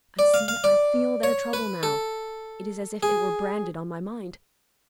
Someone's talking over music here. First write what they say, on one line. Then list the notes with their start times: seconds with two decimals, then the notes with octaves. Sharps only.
I see,--I feel their trouble now; it is as if it were branded on my mind.
0.19 D5
0.34 F5
0.48 F5
0.64 D5
1.23 C#5
1.53 B4
1.83 A4
3.03 G#4